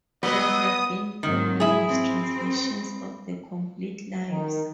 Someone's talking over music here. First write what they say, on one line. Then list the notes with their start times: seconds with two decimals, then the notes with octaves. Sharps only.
There have been three English translations of the complete "Lives".
0.23 F#3 G3 B3 B4 D#5 D#6
1.23 G#2 D#3 F#3 C4
1.60 E4 G#4
1.88 C4
4.29 D#3